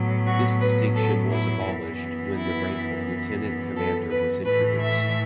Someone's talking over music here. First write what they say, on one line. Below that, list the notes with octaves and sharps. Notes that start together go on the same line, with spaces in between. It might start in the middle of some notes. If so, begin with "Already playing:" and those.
This distinction was abolished when the rank of lieutenant commander was introduced.
Already playing: A2 F#3 B3
F#4
B4
A4
E4
F#2 E3 B3
E4
A4
B4
A2 E3 A3 B4
E5